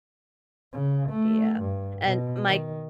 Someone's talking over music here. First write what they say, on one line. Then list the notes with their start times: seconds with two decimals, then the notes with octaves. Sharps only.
Yeah. And my
0.73 C#3
1.09 A3
1.61 G2
2.05 B2
2.48 D#3